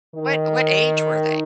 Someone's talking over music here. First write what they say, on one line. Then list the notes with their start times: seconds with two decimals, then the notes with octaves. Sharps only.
What what age were they?
0.15 D#3